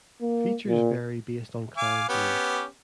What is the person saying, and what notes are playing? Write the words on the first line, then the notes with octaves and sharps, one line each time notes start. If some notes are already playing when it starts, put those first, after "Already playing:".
Features vary based on client used.
A#3
A#2
F5 G#5 D6
B3 C#4 G4